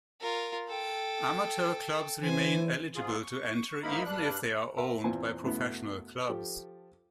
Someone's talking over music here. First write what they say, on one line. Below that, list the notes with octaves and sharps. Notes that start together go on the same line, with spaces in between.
Amateur clubs remain eligible to enter even if they are owned by professional clubs.
F4 A#4
A4 G5
E3 C5 G#5
G#2 F4 G#4
C#6
G#2 A#3 D#4 E4 A#4 B5
G2 G3 D4 F#6
A#4 E5 A#5 C6
E2 A#2 C4 G#5
F#2 C#3 A3 B3 E4
F3 G4 A4